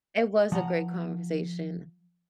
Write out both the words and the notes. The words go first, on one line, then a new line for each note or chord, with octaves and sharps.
It was a great conversation.
F3 F#5 A#5